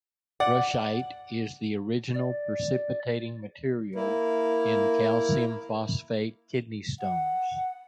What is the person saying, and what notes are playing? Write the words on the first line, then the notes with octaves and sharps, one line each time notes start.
Brushite is the original precipitating material in calcium phosphate kidney stones.
D5 F#5
D5
A#3 E4
F#5